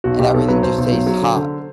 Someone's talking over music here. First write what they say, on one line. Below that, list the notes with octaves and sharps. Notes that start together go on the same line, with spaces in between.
and everything just tastes hot.
B1 F#4
B1 G4
B1 A4
F#3 B4
B1 C5
B1
F#3
F#3
D3
D3